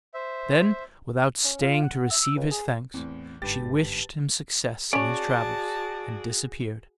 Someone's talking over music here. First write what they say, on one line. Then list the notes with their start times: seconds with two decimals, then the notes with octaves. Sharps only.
Then, without staying to receive his thanks, she wished him success in his travels and disappeared.
0.14 C5 E5
1.44 C#4
1.61 F4
1.83 F#5
2.11 E6
2.36 C#2
2.51 G#4
2.94 E2 A2 C4
3.42 G1 G#2 D3 G4 B4 A5 A6
4.93 C#4 F#4 G#4 C#5 D5 A5